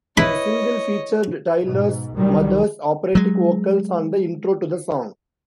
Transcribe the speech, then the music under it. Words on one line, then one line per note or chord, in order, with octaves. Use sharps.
The single featured Tyler's mother's operatic vocals on the intro to the song.
E4 B4 C#5 D#5 B5
G#2 B2
C2 B2 D#3 F#3 G3
F#3 G#3